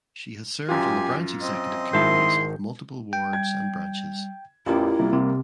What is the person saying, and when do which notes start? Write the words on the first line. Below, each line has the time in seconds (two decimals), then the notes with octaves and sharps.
She has served on the branch executive committees of multiple wards and branches.
0.69 F#2 F4 G4 G#5
1.41 C4 D#5
1.93 G#1 D#3 E4 E5 A5 C6 G6
3.13 G3 G5
3.33 G#6
4.66 A1 E2 E4 F4 G4 A#4
4.99 C2 A#3
5.13 C3